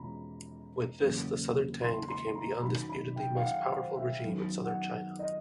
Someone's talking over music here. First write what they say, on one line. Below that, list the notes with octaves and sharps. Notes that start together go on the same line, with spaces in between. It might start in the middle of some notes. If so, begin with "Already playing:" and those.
With this, Southern Tang became the undisputedly most powerful regime in southern China.
Already playing: E2 B2 G#3 C#4 F4 A#5 B5
E2 C#3 F#3 A#3 C#4
C6
C6
A#5
F#2 D#3 F#3 B5
B5
G5
F5
F#5
C5
E5
F#2 D#3 F#3 B3 D#4
F#5
D#5